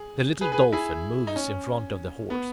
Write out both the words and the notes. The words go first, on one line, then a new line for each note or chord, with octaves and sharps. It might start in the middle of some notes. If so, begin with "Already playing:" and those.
The little Dolphin moves in front of the Horse.
Already playing: G#4
G#4 B4
G#4 B4
E4 G#4
D#4
C#4
B3